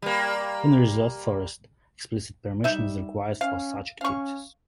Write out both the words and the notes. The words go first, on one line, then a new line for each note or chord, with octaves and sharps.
In reserved forests, explicit permission is required for such activities.
G3 A#3
G3 D#4 E5
C#4 F5
C#4 F5 C#6